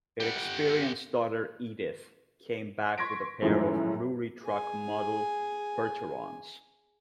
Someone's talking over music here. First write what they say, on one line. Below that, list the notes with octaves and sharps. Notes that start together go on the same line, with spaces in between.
Inexperienced Daughter Edith came back with a pair of brewery-truck-model Percherons.
G4 F#5
C6 C#6 G#6 A#6 B6 D7
F#2 A2 D#3 F3 G#3
G#4 G#5